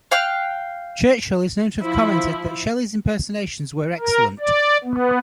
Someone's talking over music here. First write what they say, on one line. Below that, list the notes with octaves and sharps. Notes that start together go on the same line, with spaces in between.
Churchill is known to have commented that Shelley's impersonations were excellent.
F5 G5 F6 F#6
F3 E4
A#4
D5
B3